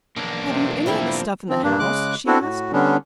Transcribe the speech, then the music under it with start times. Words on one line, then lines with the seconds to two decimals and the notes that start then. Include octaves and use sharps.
"Have you any of the stuff in the house?" she asked.
0.17 B1 E2 A#3 D4
0.47 C3
0.86 F3 G3 C4 E4
1.49 F3 C4
1.63 G2 A#3 D4
1.79 C#3 G#3 D6 F#6
2.27 C4 D4 E4 F#4 A4
2.41 A2 F#4
2.72 D3 G3 B3 C#4 D4